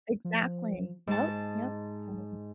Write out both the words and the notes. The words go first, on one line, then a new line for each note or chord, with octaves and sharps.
Exactly, yep, yep so
F3
G#2 A5